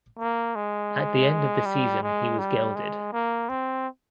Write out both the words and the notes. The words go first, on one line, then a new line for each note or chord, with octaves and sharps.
At the end of the season he was gelded.
A#3
G#3
G3
G#3
G3
G#3
A#3
C4